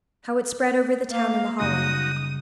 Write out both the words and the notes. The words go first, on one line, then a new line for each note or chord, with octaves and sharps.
How it spread over the town in the hollow!
A#3 F5
F#2 C#3 G3 D#4 F#4 D#6